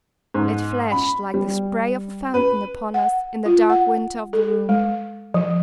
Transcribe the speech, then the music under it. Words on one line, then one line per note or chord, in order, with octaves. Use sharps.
It flashed, like the spray of a fountain upon us, in the dark winter of the room.
G#2
B5
G3
B4
F#5
F4
F#5
A4
G#3
F3